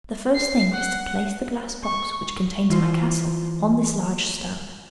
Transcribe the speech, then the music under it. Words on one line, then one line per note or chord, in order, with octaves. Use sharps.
The first thing is to place the glass box which contains my castle on this large stone.'
C7
F#5
C#6
E3 F4 C5